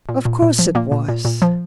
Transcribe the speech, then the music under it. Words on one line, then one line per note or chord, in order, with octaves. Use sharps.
"Of course it was!"
A#2
A#2
A#2
F3
A#2 A#3
A#2
A#2
A#2
F3